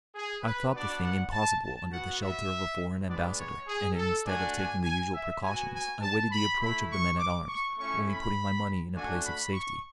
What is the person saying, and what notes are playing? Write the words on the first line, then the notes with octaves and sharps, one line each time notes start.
I thought the thing impossible under the shelter of a foreign ambassador, and instead of taking the usual precautions, I waited the approach of the men-at-arms, only putting my money in a place of safety.
G#4
B4
B3 D4 F#4 D5
F#5
A5
A5
B3 F#4 F#5
E5
G#3 B3 D4 D5
C#5
G#4
A4
A3 D4 F#4 G#5
G#5
G#5
E5
B3 F#4 G#5
G#5
A5
B5
A3 E4 B5
C#6
D6
C#6
A3 C#4 E4 C#6
B5
A3 D4 F#4 G#5
B5
C#6